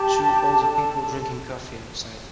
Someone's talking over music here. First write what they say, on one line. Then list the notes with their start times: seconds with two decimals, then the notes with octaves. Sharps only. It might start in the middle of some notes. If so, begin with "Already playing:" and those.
Two older people drinking coffee outside.
Already playing: G4 A5
0.16 D4
0.57 A4
0.97 A4